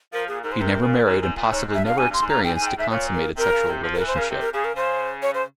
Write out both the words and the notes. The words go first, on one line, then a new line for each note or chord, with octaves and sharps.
He never married and possibly never experienced a consummated sexual relationship.
F3 A#4
A#2 G#4
G#2 A#4
C5
C3 A#4
A#2
G#2
G#2
A#2
G#2 C#5
G#2
E5
G2 F5
G2 G#5
G2
C6
G#2
G2 A#5
G#2 G5
G#5
G#2
G5
G#2 E5
A#2 C#5
A#4
C3 A#4
C#3
C3
F3
A#4
E3
C5
C#3 A#4
C3
A#4
C#3 G#4
A#4
C#3 C5
C#5
C5